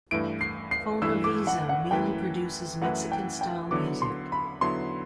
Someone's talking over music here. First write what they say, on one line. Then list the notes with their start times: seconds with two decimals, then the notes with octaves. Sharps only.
Fonovisa mainly produces Mexican style music.
0.11 G2 E3 A3 E4 D7
0.41 C7
0.71 C7
1.02 G2 E3 A3 E4 E6
1.24 D6
1.47 F#5
1.69 F#5
1.91 F#2 E3 A3 E4 B4 G5
2.81 F#2 E3 A3 E4 B4 F#5
3.12 G5
3.41 G5
3.71 D3 F#3 B3 E4 D6
4.02 C6
4.32 B5
4.61 D3 F#3 B3 E4 C6